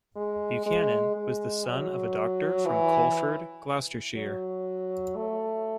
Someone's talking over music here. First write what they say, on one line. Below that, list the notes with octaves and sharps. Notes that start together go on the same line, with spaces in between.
Buchanan was the son of a doctor from Coleford, Gloucestershire.
G#3
G#3
G#3
F#3
E3
F#3
A3